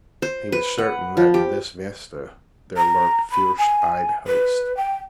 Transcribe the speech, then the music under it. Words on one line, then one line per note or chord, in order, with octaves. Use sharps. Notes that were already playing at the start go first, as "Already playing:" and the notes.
He was certain that in this vista there lurked fierce-eyed hosts.
C5
B4
F#5
F3
G4
A#5
B5
G#5
B4
G5